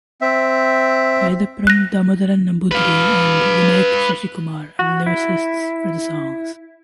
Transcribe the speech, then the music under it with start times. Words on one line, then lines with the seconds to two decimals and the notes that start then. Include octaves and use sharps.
Kaithapram Damodaran Namboothiri and Vinayak Sasikumar are the lyricists for the songs.
0.21 C4 E5
1.67 F#6 A#6
2.71 B4 F5
4.79 F#4
5.06 E4